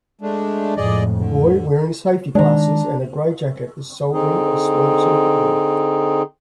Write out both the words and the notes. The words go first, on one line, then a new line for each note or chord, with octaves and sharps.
A boy wearing safety glasses and a gray jacket is soldering a small circuit board.
G#3 A3 D4
F2 A2 G#3 G#4 D5 D#5
D3
D#3 G#3 D4 A#5
D3 C4 D#4 G#4